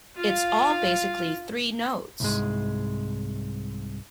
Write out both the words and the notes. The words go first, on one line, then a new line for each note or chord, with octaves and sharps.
It's all basically three notes!
F4 F5
C2 G#2 G#3